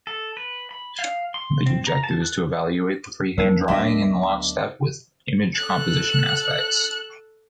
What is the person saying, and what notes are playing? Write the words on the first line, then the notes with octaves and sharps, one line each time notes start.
The objective is to evaluate the freehand drawing in lockstep with image composition aspects.
A4
B4
B5
F5
C6
C4
A#5
A5
F#6
F2 A#3 D#4 A#4 C5
D2 F#3 B3 D4 D#5 E5
A4 F#6